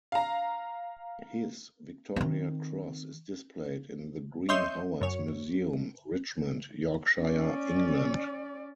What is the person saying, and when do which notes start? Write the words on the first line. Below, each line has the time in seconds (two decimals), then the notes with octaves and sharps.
His Victoria Cross is displayed in the Green Howards Museum, Richmond, Yorkshire, England.
0.12 F5 A#5
2.16 D#3 C4
4.49 C#5 D#5 E5 C6 G6
5.01 F#2 C#5
7.19 C#4 D5